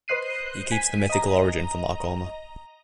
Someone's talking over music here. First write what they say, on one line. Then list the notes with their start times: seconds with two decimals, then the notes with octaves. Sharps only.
He keeps the mythical origin for Marcomer.
0.08 B4 C5 D#5 F#6 C7 D#7
0.71 G#5 B6 D#7
1.09 D#5 A#5